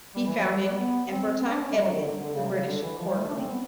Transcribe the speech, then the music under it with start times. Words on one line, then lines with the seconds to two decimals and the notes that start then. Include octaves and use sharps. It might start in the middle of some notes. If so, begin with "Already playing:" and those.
He founded, and for a time edited, the "British Quarterly".
0.15 G3
0.26 E3
0.37 F#3
0.46 G3
0.62 G3
0.78 B3
1.09 C4
1.41 C4
1.51 D4
1.61 C#4
1.71 G3
1.82 F#3
1.93 D#3
2.03 D3
2.20 D3
2.34 C#3
2.44 C3
2.56 C#3
2.66 D3
2.82 E3
2.98 F3
3.08 G3
3.18 A3
3.29 D4
3.34 C#4
3.38 C4
3.50 B3